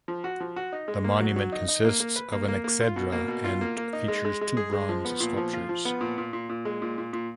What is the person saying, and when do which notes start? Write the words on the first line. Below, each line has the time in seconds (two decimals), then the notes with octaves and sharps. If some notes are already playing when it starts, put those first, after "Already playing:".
The monument consists of an exedra and features two bronze sculptures.
0.08 F3
0.24 F#4
0.40 F3
0.56 F#4
0.72 D#4
0.88 G#3
1.04 A#3
1.20 F#3
1.36 F#3
1.52 D#4
1.68 D#4
1.84 A#3
2.00 A#3
2.16 B4
2.32 A#3
2.48 A#3
2.64 A#3
2.80 F4
2.96 B2
3.12 A#3
3.28 B2
3.44 F4
3.61 A#3
3.77 A#3
3.93 D#4
4.08 G#3
4.25 G#3
4.41 G#3
4.57 G#4
4.73 G#3
4.89 F3
5.05 B3
5.20 A#2
5.37 F3
5.53 F4
5.69 F3
5.85 B3
6.01 A#2
6.18 A#2
6.33 A#2
6.49 A#2
6.65 G#3
6.82 A#2
6.98 A#2
7.13 A#2